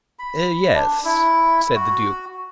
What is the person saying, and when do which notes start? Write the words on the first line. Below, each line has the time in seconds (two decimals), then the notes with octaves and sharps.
"Yes," said the Duke.
0.19 B5
0.75 D4
1.04 E4
1.76 F#4